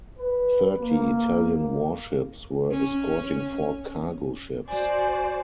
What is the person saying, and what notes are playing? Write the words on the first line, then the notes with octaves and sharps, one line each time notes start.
Thirty Italian warships were escorting four cargo ships.
B4
A#3
C#4
F#4 C5 D5 G#5